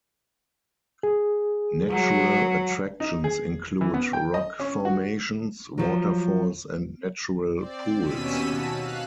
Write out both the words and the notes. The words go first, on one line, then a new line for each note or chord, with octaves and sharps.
Natural attractions include rock formations, waterfalls and natural pools.
G#4
F#3
D#4
G#4
E3
B3
G5
D#5
C#4
F#4
F3 F#3
C4 D5
D#2 B2 C#4 E6 B6 D#7
F#4 A5
F5 F#6